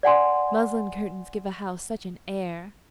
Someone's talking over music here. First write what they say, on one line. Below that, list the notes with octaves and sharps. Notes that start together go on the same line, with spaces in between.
Muslin curtains give a house such an air.
D5 F#5 G#5 C6